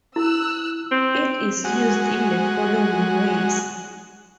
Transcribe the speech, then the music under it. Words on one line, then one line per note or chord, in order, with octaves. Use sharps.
It is used in the following ways.
E4 E6 F#6
C4
G#3 F#4